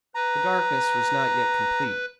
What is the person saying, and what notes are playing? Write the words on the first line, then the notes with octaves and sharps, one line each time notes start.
The darkness was not yet complete.
B4 A#5